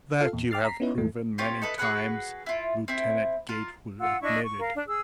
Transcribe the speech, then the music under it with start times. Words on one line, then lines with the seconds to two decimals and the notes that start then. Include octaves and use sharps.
"That you have proven many times," Lieutenant Gatewood admitted.
0.20 F4 A4 F5 C7
0.33 E2 A#2
0.51 G5 D6 F6 A6 C7
0.65 A#5 B6 C7
0.80 B3 C#4 D#4 E4 B4
0.98 D#2 G#2 E3 A3
1.38 C4 F4 G4 C#5
1.62 D#4 A4 B4
1.78 F#4 G#4 B4 F#5
2.46 E4 F4
2.88 C4 E4
3.49 F4 A#4
4.00 F4 F#5 E6
4.22 D4 E4 D#5 C#6
4.44 C#6
4.59 A#4 F5
4.74 D4
4.87 G#4 E6